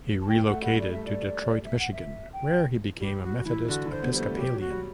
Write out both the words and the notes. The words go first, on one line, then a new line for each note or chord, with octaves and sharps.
He relocated to Detroit, Michigan where he became a Methodist Episcopalian.
A5
A3 G5
F#5
A3
G3 F#5
D5
A3 E5
D5
E5
F#5
E5
G5
G3 G4
F#4
E3 E4
D3 F#4
E3
C5
B3
G3 C5
A3
F#3 G4
F#3
F#4
G3